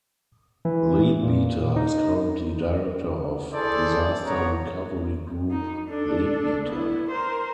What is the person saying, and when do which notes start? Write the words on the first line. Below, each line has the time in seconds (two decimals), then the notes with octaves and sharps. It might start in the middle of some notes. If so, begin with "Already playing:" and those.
Leadbeater is currently director of "Disaster Recovery Group Leadbeater".
0.65 E3
1.23 A#2
1.76 D#4
3.52 E4 G#4 A4 C5 D5
4.26 B3 C#5 A#5
5.51 D#4
5.90 D4 A4
6.66 B3 E4
7.10 A#4 C5